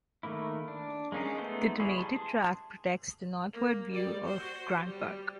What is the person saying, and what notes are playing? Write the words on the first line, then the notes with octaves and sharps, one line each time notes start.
The donated tract protects the northward view of Grant Park.
D#3 A3 A#3 E4
D4
G#3 A#3 C#4 D#4 G#4
G#3 A3 B3 D#4 C5
G3 E4 F#4 G#4
G#4 A5 C6
A#3
G3 D5
F#4 C5
G3